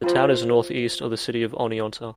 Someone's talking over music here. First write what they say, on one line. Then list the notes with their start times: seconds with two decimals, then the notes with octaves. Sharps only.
The town is northeast of the City of Oneonta.
0.04 F4 C5